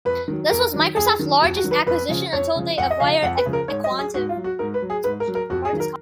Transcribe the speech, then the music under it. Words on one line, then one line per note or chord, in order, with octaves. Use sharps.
This was Microsoft's largest acquisition until they acquired aQuantive.
F2 B4
D#3 F#3
F2 A#4
D#3 F#3
F2 G#4
D#3 F#3
F2 F#4
F#4
D#3 F#3
B4
F2 B4
C#3 F3
F2 C#5
C#3 F3
F2 F#5
D#5
C#3 F3 F5
F2 F#5
B4
C#3 F3
A#4
G#2 C#5
D#5
F#3
G#4
G#2 F#4
F4
F#3
F#4
G#2 A#4
B4
F#3
G#4
G#2 B4
A#4
F#3
A#4
F2 F#4
G#4
D#3 F#3
A#4